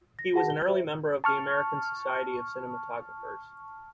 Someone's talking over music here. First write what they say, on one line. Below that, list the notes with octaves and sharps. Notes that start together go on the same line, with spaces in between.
He was an early member of the American Society of Cinematographers.
A#6
F#4 G#4 F#5 A5 A#6
G7
F#4 C5 E5
A5 C#6 F6